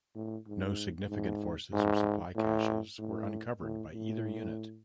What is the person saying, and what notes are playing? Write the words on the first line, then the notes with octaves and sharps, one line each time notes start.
No significant forces or supply caches were uncovered by either unit.
A2
G#2
G#2
G#2
A2
A2
A2
A2